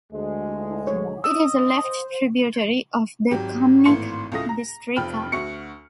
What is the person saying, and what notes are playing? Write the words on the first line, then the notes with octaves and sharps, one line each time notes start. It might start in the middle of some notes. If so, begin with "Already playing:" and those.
It is a left tributary of the Kamnik Bistrica.
D2 G#3
C#5
D#5 E6
C5
G#1 F#3 G4
G#1 A2 E3 A#3 C6 C#7
C#2 A2 A3 F4 D#6 A#6
A#5
F1 F3 G5 B5 F6
D2 F#4 C#6 C#7